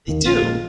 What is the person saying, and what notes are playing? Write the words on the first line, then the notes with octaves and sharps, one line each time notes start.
They do.
D#2 D#3 A#3
A#1 F4
A#2 F3 G#3